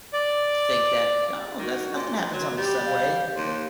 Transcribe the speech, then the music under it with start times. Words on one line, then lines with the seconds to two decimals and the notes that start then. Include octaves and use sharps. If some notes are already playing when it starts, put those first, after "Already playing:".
think that, "No, that's nothing happens on the subway." Like,
0.13 D5
1.59 D#3 F#4
1.96 A#2 C6
2.33 F#3
2.57 G3 G4
2.84 F5
3.36 D#2 C6